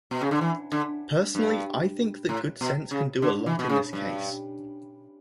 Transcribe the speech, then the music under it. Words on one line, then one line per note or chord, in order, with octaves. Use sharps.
Personally I think that good sense can do a lot in this case.
B2
C#3
D3
E3
D3
G2
A2
B2
C#3
D3
E3
B2
C#3
G2